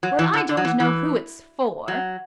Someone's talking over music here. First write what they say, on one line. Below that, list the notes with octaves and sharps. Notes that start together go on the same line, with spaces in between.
Well, I don't know who it's for!
F#3
E3
D3
D3
F#3
E3
E3
F#3